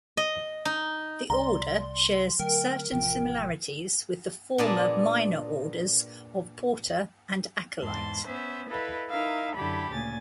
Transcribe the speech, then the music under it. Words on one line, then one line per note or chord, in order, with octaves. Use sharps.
The Order shares certain similarities with the former Minor Orders of Porter and Acolyte.
D#5
D#4
C2 D5 A#5 C6
D3 F#3 A3 A#4 G5
A1 C3 F3 G5
A#2 B3 D4 G#4 D5 A5
E2 G#2 A5 C6
B3 C#4 C5 E5
E4 A4 B4 D#5 F5
D#4 E4 A#4 E5 F5
F#2 D3 E4 G4 A4 B5
D2 A#2 C#3 G#5 A6